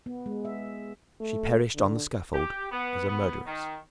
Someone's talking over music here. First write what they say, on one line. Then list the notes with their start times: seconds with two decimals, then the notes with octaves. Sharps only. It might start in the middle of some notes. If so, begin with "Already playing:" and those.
She perished on the scaffold as a murderess!
0.06 B3
0.26 G#3
0.45 E5
1.20 A3
1.75 D3
2.34 G4
2.72 B3
3.09 B3
3.46 D#3